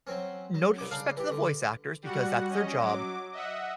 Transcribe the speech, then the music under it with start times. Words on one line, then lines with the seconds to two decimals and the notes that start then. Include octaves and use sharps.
no disrespect to the voice actors because that's their job,
0.07 F#3 C4 C#4
0.54 F#3
0.78 C2 D6
0.91 C#3 D4 F5
1.17 E3 G4
1.31 D3
2.02 G3 F#4 F#5
2.49 C#4 D#5
2.81 F#3 D6
3.32 D#5 E5 F#5